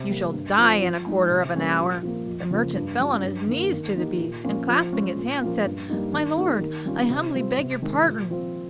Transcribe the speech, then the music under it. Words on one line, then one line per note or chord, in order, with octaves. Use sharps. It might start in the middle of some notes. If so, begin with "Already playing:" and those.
You shall die in a quarter of an hour." The merchant fell on his knees to the beast, and clasping his hands, said, "My lord, I humbly beg your pardon.
Already playing: C3
G3 A#3
G2
F3 C4 F4
F3
G#3 D#4
C3
G3 A#3 C#4 G4
A#2
F3 A#3
F2
C#3 F3 A#3
G2
G3 C#4 F4
G2
D#3 A#3
D#3
A#3 D#4 G4
A#2
F3 A#3 C#4 F4
F3
G#3 C#4 F4
A#2
F3 A#3 C#4 F4
G2
G3 A#3 D#4 G4
D#3
A#3 D#4 G4
D#3
G3 C#4 F4
C3
G3 C4 F4
C3
D#3 G#3
A#2
F3 C4 F4